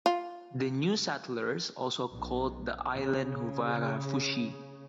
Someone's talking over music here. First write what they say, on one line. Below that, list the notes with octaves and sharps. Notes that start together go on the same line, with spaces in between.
The new settlers also called the island 'Huvarafushi'.
F4
B1
C#3